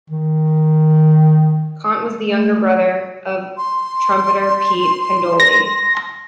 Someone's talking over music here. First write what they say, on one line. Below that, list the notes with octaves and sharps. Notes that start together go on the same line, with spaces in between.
Conte was the younger brother of trumpeter Pete Candoli.
D#3
A3
C6
A#6